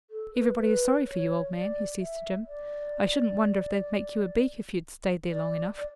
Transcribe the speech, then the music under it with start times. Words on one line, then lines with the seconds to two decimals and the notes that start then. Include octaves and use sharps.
Everybody is sorry for you, old man,' he says to Jim. 'I shouldn't wonder if they'd make you a beak if you'd stayed there long enough.
0.10 A4
0.34 B4
0.58 B4
1.05 C#5
1.52 D5
2.00 E5
2.47 D5
5.30 D5
5.77 D5